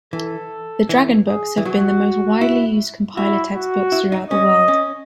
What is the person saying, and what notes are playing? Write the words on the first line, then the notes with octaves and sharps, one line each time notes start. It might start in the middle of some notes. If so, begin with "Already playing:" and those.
The dragon books have been the most widely used compiler textbooks throughout the world.
E3 A4
E3
G#4
E3
F#3 F#4
E4
E4 F#4
F#4
E4
D#4
C#4 D#5
C#4